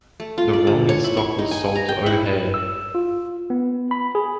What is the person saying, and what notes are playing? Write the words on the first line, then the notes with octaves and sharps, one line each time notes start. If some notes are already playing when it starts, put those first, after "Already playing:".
The rolling stock was sold to O'Hare.
A3
F4
D5
D3
C#5
E4
C#6
D#4
G#5
A#5
G5
E4
E6
F4
B3
B5
G#4